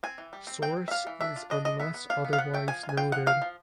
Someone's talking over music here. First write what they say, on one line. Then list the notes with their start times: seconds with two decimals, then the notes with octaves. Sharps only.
Source is unless otherwise noted.
0.03 C4 G#5
0.18 E3
0.33 G3
0.47 C4
0.62 C4 G5
0.77 C4
0.88 E5
0.91 G3 F5
1.07 E3
1.21 D4 E5
1.36 F4
1.50 D4 D#5
1.65 G#3 D#5
1.80 B3 E5
1.94 B3
2.10 D4 F5
2.25 B3
2.33 F5
2.38 F3 F#5
2.54 A3 G5
2.68 F3 G#5
2.83 F4
2.89 G#5
2.97 F4 G5
3.12 F3 F#5
3.26 F3 F5
3.42 F3